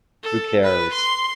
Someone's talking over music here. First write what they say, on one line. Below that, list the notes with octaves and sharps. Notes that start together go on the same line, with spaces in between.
Who cares?
A4
B4
C6